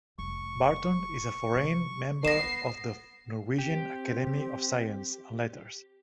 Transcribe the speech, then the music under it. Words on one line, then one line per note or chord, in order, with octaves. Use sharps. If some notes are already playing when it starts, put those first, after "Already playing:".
Barton is a foreign member of the Norwegian Academy of Science and Letters.
F1 C#6
C3
G#3 B3 A#6 C7 E7
C4 G4